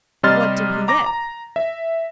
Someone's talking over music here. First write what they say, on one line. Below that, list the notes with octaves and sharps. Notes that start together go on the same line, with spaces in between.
"What did he get?"
C3 G3 D#5 C6 F6 A6
A#5 D6 A#6
A#5
E5